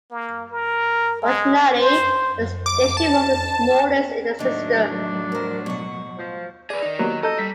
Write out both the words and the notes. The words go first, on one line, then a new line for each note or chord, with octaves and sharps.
Originally, the station was the smallest in the system.
A#3
A#4
G#3
C5
D6
A5
D#2 A2 F#3 A3 D4 D#4 D#5
F2 A#4 C5
B2 F#5 C#6
F3
G#4 B4 D5
D#3 D#4
F#3 A#3 B3 G4
A4 D#5 A#5 G6
G3 B6